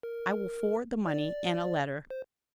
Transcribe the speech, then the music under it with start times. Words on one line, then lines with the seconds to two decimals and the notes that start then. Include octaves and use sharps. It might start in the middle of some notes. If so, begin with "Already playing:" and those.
I will forward the money and a letter.
0.03 A#4
1.07 D5
2.10 C5